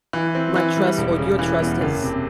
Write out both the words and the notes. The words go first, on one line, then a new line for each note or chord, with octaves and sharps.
my trust or your trust is
E3
C4
E3
G3
E1
C#3
E3
E2
F#1
C3